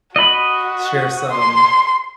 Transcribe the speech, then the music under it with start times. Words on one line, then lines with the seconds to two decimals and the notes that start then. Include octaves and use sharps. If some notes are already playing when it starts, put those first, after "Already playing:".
share some
0.16 F#4 D#5 B5
1.32 C6